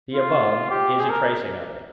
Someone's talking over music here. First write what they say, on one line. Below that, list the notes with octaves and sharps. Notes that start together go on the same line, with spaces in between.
The above is a tracing of it.
F4
G4
G#4
A#4